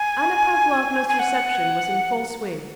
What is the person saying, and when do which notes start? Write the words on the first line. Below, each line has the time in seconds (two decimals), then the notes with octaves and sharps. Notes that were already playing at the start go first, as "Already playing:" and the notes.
Anna Pavlovna's reception was in full swing.
Already playing: G#5
1.09 G#5
1.19 F#5